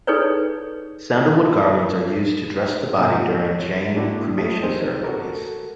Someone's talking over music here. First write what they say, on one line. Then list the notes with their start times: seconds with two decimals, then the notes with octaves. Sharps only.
Sandalwood garlands are used to dress the body during Jain cremation ceremonies.
0.07 D#4 G#4 A4 B4 C#5 D5
2.98 G#2 C3 A#3 F#4
3.46 C#5
3.95 G#3 A#3 D4 E4 F#4 G4
4.38 A#2 G3 A3 G4 A4 D#6
4.62 C4 D#4 G4 G#4 A#4 C5
5.04 F#4 A4 A#4